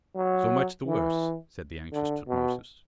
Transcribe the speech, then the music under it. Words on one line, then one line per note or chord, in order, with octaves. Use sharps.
"So much the worse," said the anxious Tutmosis.
F#3
E3
D3
B2